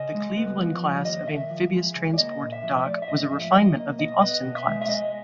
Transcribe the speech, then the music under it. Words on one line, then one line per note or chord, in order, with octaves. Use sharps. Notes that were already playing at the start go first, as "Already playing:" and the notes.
The "Cleveland" class of amphibious transport dock was a refinement of the "Austin" class.
Already playing: C#3 D#5
G#3
B3
F3
G3
D#2 D#5
D#3 E5
F3
G#3
C#3
D5
A#3 D#5
A#2
E5
F3
A3 D5
E5
G#2 D#5
F3 E5
F#3 D#5
A#3
B2 D#5
B3 D#5
B2
E5
G#3
E5
G#3 D#5